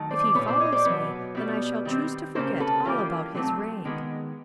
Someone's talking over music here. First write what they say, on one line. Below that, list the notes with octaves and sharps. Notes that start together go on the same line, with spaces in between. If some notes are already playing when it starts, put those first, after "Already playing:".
If he follows me then I shall choose to forget all about his rank.
Already playing: D#3 F#3 A3
C5 D5
D5
A#2 G3 B3 B4 C#5
C5 D5
C#5 D#5
C5 D5
B2 F#3 A#3 B4 C#5
B2 G3 B3
D#3 G3 C4
C#3 F#3 A#3 C#4 A#4 C5
A4 B4
E3 G3 A#3 C#4 F4 G4
D3 F#3 A3 C4
D#3 G#3 B3